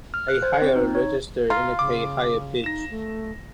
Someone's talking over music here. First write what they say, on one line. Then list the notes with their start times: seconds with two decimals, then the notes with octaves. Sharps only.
A higher register indicates higher pitch.
0.14 F6
0.28 F#6
0.42 C5
0.62 C4
0.76 D#4
0.95 C#5
1.50 F4 A#5
1.79 C#3 D6
2.64 D#4 A#6 E7
2.90 A3